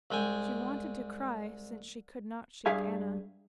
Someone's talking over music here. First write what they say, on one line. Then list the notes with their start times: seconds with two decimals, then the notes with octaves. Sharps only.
She wanted to cry, since she could not shake Anna.
0.11 C2 G#3 G5 G#5
2.66 G2 G#4 E5 F5 G#5